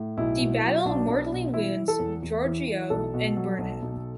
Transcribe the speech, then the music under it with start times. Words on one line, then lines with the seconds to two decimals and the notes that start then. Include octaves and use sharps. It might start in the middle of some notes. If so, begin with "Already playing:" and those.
The battle mortally wounds Georgiou and Burnham.
Already playing: A2
0.17 B1 E4
0.40 B2
0.62 F#3
0.85 B1 D4
1.08 B1
1.31 B2
1.53 E3 E4
1.77 E3
1.88 A4
1.99 E2
2.23 E2
2.45 E3
2.68 E3
2.90 B1 A4
3.14 B2
3.37 F#3
3.59 B1
3.82 B1